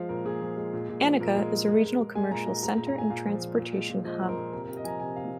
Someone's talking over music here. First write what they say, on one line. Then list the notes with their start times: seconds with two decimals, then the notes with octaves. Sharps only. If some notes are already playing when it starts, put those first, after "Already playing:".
Annaka is a regional commercial center and transportation hub.
Already playing: F3 G#3 F5
0.09 A#2 A#4
0.25 A#2 G#4
0.41 F3
0.56 G#3
0.73 A#2
0.89 A#2
1.04 F3
1.20 A#2 A#4
1.36 G#3
1.52 G#3
1.68 G#3
1.84 G#3
2.00 G#3
2.15 G#3 G#5
2.31 A#2 A#5
2.46 G#3 A#5
2.63 G#3 A#5
2.75 A#5
2.78 A#2
2.87 A#5
2.94 A#2 G#5
3.10 A#2 F5
3.27 F3
3.42 A#2
3.57 A#2
3.73 G#3
3.90 A#2
4.05 F3 D#5
4.21 A#2 C5
4.29 A#4
4.37 A#2
4.53 C3 A#4
4.64 C3 A#4
4.77 D#5
4.84 F3 G#5
4.88 A#5
5.00 C3 G#5
5.16 C3 F5